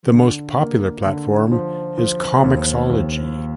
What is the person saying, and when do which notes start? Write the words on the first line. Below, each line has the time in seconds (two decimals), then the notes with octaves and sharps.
The most popular platform is comiXology.
0.13 D3
0.59 A#3
1.06 D3
1.52 F3
1.98 F3
2.44 D#2
2.90 D#2